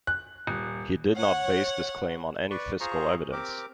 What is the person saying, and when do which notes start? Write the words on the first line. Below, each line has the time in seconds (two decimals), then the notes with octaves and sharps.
He did not base this claim on any physical evidence.
0.07 F#6
0.47 D#1
1.15 C#5 F#5
2.51 B4 D5 C#6
2.80 F4 G#4 C5 A#5 C#6
3.32 C4 G4 A#4 D6